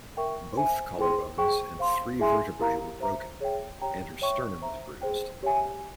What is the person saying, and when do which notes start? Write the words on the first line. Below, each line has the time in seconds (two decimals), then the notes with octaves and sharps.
Both collarbones and three vertebrae were broken, and her sternum was bruised.
0.17 A#4 E5 G5 C#6
0.57 C5 E5 G#5
0.97 E4 G#4 C5 G5 C6
1.38 G#4 C5 G5 C#6
1.79 C5 F5 C6
2.19 E4 G#4 E5 G#5 C6
2.59 E4 G4 A#4 F5 A#5
3.00 C5 E5 A#5
3.40 G#4 C#5 E5 G5
3.81 G4 C#5 G5 A#5
4.22 C#5 E5 G5 C#6
4.62 C5 E5 A#5
5.02 G#4 C5 G5
5.43 G4 C#5 E5 G#5